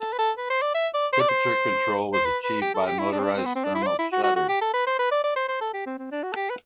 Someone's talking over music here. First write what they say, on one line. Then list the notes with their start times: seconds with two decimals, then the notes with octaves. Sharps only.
Temperature control was achieved by motorized thermal shutters.
0.01 A4
0.13 B4
0.18 A4
0.38 B4
0.50 C5
0.62 D5
0.75 E5
0.94 D5
1.13 C5
1.20 D5
1.29 C5
2.13 C5
2.25 B4
2.44 B4
2.61 G4
2.74 A4
2.87 G4
2.99 E4
3.12 D4
3.20 C4
3.24 D4
3.37 C4
3.45 B3
3.56 C4
3.64 D4
3.75 E4
3.83 C5
3.87 D5
3.99 E4
4.12 F#4
4.23 F#4
4.36 F#4
4.49 G4
4.61 A4
4.74 B4
4.87 C5
4.99 B4
5.11 D5
5.24 D5
5.36 C5
5.49 C5
5.61 A4
5.74 G4
5.86 C4
5.99 C4
6.12 D4
6.23 F#4
6.32 A4
6.36 G4
6.50 B4